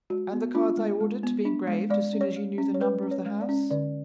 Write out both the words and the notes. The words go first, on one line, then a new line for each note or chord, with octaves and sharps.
"And the cards I ordered to be engraved as soon as you knew the number of the house?"
G#3 F#4
B3
D4 F4
G#3
G#3
B3
D4
G#3
G#3 D5
C#4
C#5
G#3
C#4
C#5
G#3 B4
C#4
C#5
G#3
D5
C#4
D3 D5